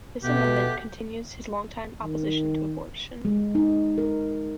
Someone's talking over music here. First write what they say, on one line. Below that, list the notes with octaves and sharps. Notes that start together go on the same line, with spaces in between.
This amendment continues his longtime opposition to abortion.
B2 A3 B3 G4 F#6
D#3
G#3
D#4
A#4